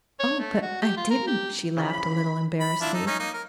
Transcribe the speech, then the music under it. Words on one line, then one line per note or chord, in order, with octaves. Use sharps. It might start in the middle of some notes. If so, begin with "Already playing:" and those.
"Oh, but I didn't," she laughed a little embarrassedly.
C#5
A3
F#4
G4
F4
A#4
G4
C#3 E3 F3 B5
B5
D4 E4 F4
D#4 A4
C#4 D#4
A#3 D#4
A#4